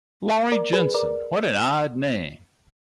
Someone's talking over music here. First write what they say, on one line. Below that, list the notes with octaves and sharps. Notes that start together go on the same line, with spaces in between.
Laurie Jenson, — what an odd name!
A#4 D5
G#4 B4
A#4 D5